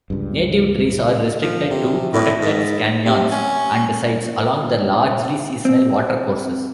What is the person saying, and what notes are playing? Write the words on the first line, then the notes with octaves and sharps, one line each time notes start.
Native trees are restricted to protected canyons and sites along the largely seasonal watercourses.
C#2 G2
F3
C3
A2
G#2
C3
C#4
C4